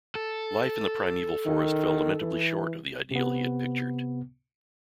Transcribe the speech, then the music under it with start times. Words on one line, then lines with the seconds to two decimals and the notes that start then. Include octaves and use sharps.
Life in the primeval forest fell lamentably short of the ideal he had pictured.
0.15 A4
1.46 D#3
2.21 E3
3.11 C3 B3